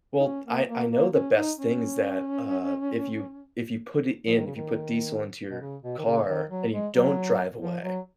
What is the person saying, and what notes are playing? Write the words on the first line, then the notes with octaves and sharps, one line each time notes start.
Well, I I know the best thing's that, uh, if you if you put it in, if you put diesel into your car and you don't drive away,
D#4
C#4
A#3
A#3
A#3
C#4
D#4
C#4
F3
D#3
C#3
D#3
B2
C#3
B2
D#3
C#3
D#3
F#3
G#3
F#3
F3
F#3